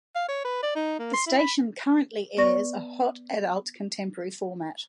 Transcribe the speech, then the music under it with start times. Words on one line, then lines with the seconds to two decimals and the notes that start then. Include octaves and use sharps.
The station currently airs a Hot adult contemporary format.
0.15 F5
0.28 C#5
0.45 B4
0.63 D5
0.75 D#4
0.99 A#3
1.13 C6
1.27 E4
1.39 B5
2.37 B3 B4 D5 C#6 A#6